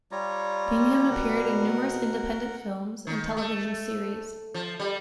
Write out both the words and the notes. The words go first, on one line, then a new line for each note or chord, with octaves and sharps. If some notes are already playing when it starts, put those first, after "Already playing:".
Bigham appeared in numerous independent films and television series.
G3 F4 C#5 A#5
B2 A#4 F#5
D#3
A3
F3
G3